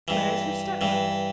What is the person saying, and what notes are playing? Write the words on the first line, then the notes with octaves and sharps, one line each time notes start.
Where is her stepmother?
G2 E3
G2 E3